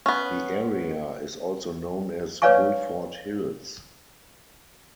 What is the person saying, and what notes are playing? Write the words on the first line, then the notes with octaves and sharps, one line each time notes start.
The area is also known as Guilford Hills.
B3 C#4
B4 C#5 D5 F5 G#5 C#6